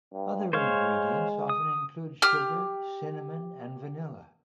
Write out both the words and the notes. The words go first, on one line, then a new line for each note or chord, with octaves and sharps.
Other ingredients often include sugar, cinnamon, and vanilla.
G2
G#3 C5 C#5 F5
D#6
G4 F6